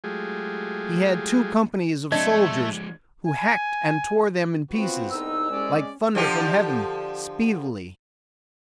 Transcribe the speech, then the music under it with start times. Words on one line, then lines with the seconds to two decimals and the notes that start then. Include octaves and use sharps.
He had two Companies of Soldiers who hackt and tore them in pieces, like Thunder from Heaven speedily.
0.04 F#3 G#3 A3 F4 G4 G#4
2.12 F3 G#3 A3 C4 D4 D#5 G#6
3.27 G#5
4.72 B3 C4 F4 F#4
5.12 C2 G#2 D#4 E6
5.51 G#3 C#4 D5
6.15 D3 F3 G4